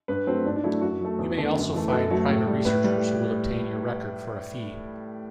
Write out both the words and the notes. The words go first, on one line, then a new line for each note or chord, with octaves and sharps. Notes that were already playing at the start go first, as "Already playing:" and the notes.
You may also find private researchers who will obtain your record for a fee.
G2 B4
F#3 A3 C4
G2 D4
D4
F#3 A3 E4
F#2 F#4
F#3 A3
E2
D3 A3
F#2
E3 A3
B4
F#2 A4
F#3 A3
A2
G3
A2 B4
G3